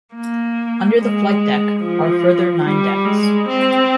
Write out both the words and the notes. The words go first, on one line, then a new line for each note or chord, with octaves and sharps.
Under the flight deck are a further nine decks.
A#3
G#3
F3
G3
G#3
C4